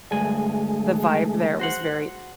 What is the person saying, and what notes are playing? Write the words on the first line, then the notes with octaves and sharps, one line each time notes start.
The vibe there was very
D2 G2 G#3 A3 G#4 G#5
F#4 C5 F#5